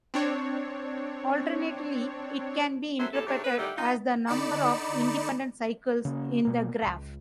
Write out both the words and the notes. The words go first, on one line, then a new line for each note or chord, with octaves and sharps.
Alternatively, it can be interpreted as the number of independent cycles in the graph.
C4 D4 C#5
F#2 F#3 A4 C5 E5
F#2 A2 G4 A4
G#2 C3 A3 D4 G4 C#5
B4
A2 D#3 G3 G4 E5 F#5
D#4 F4
D3 D#4 D5 B5 C#7 E7
C#3 A#3 C#4
B2 A#3
D1 C#2